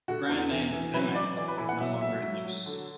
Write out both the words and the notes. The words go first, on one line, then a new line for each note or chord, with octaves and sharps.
The brand name "Zemmix" is no longer in use.
D3 F#4
E2
E3
E3
F#3 B4
F#3 D5
E3 D5
B4
E3 B5
F#5
F#3 E5
F#3 E5
F#3
F#3
D3